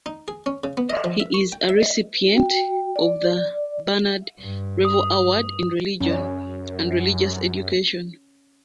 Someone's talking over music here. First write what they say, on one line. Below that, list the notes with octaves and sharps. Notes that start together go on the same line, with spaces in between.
He is a recipient of the Bernard Revel Award in Religion and Religious Education.
D#4
G#4
C#4
C#3
B3
D#5
F3
E5
C#6
G5
E5
F#4 G5
D5
G2
D#6
F#2 C#4